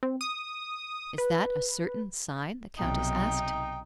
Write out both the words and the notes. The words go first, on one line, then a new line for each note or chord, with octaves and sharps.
"Is that a certain sign?" the Countess asked.
C4
D#6
B4
B1 C3 D#4 G5